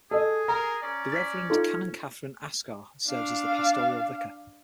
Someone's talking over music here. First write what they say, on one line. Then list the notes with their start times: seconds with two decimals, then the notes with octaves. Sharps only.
The Reverend Canon Catherine Ascah serves as the Pastoral Vicar.
0.11 G#4 A4 D#5
0.48 A#4 A#5
0.83 C#4 D5
1.12 A6 B6
1.50 D#4 F4 A4
3.07 D4 F5